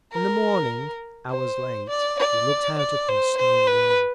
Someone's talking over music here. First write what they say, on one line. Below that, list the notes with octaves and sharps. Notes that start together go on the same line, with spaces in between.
In the morning, hours late, we looked out upon a snowy world.
A#4
C5
D5
D5
D5
C5
C5
B4